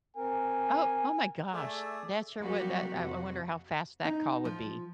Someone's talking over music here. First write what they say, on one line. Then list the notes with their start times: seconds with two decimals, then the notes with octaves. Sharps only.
Oh Oh, my gosh, that sure would. That I I wonder how fast that call would be.
0.17 C4 A#4 G#5
1.54 A3 G#4 D5 E5
2.39 F#3 G3 A#3 C4 F#4 G4
2.95 F2 C3 F#4
4.05 D#4
4.45 F3